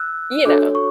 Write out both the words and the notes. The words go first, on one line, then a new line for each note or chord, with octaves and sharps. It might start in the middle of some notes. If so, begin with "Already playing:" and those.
you know,
Already playing: E6 F#6
D4 F#4 A4 C#5 D6
C#6